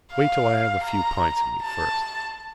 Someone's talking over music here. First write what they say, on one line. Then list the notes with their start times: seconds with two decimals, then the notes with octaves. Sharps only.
Wait till I have a few pints in me first.
0.12 F5
0.84 A#5
1.62 A5